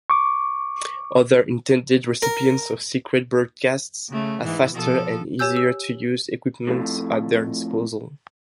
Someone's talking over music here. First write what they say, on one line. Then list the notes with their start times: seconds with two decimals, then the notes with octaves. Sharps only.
Other intended recipients of secret broadcasts have faster and easier-to-use equipment at their disposal.
0.10 C#6 D6
2.22 A#4
4.10 C#3 A3
4.44 G#2 E3
4.73 B2 F3 A4
5.39 G4 C#5 G#5 E6 G6
5.56 E6
6.67 F2 A2